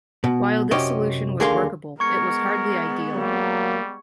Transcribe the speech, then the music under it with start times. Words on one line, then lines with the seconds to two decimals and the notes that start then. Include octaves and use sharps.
While this solution was workable, it was hardly ideal.
0.24 B2
0.71 F#2 C3 C#4 G4 D#5
1.40 D#2 D3 G#4 A#4 F5 C6
2.00 G#3 B3 A#4 C#6 G#6 C#7
3.15 F#3 G3 A#3